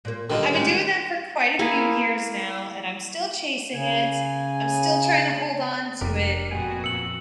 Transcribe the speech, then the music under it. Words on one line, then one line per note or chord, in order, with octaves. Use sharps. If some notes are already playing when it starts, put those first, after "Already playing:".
I've been doing that for quite a few years now and I'm still chasing it, I'm still trying to hold on to it,
A#2 A#3
D3 D#3 G3 A#3 F4 D#5
G#3 A3 D4
A#3 E4 G#4
C#3 G#5
F1 D4 G4 A#4
F2 A#2 B3 F#4 G5 G#5
E6 C#7 F#7